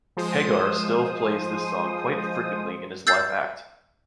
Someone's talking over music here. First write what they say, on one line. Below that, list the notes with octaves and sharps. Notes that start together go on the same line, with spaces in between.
Hagar still plays this song quite frequently in his live act.
F3 G#3 C5 D#6
E6 G6 A6 C7